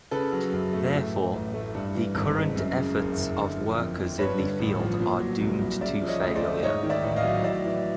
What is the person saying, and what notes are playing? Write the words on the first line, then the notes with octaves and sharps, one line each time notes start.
Therefore, the current efforts of workers in the field are doomed to failure.
C#3 A4 B4
F#3
F#2
A3
A2
E3
A1
A3
G2
E3
G#1
G#3
F#2
C#3
F#1
F#1
D3
F3
F2
F2
G2 B4 C#5
D3
A1
F3
A#2
F#3
C2
C2
C#3 D5 E5
F3
C#5 D#5
D2
C5 D5
A3
G#2 C#5 D#5
D#3
D5 E5
A1
D#5 F5
F#3
A2 D5 E5
E3